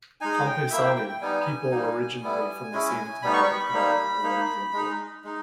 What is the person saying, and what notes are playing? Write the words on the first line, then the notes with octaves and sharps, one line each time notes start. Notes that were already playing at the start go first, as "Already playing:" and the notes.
"Compaesani" - people originally from the same Italian town - are one example.
G#3 D#4 G#5
G5
A#3 E4 E5
G5
G5
G5
G3 B3 D#4 G#5
G3 A#3 D#4
G3 B3 E4
G#3 C#4 E4
G3 B3 D#4 B5
C#6
B5
G3 A#3 D#4
A#3 D#4
G#3 D#4
G#3 D#4